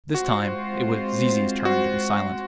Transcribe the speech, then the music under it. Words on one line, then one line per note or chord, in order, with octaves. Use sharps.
This time it was Zizi's turn to be silent.
G#3 C4 F4 F#4 C5
F#4